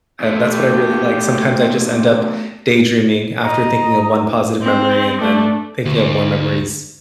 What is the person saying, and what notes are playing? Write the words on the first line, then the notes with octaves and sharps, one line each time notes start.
uh, that's what I really like. Sometimes I just end up daydreaming after thinking of one positive memory and then thinking of more memories,
E2 A3
G4
C4
C3
D#5 A#5
C4
A3 D4
D2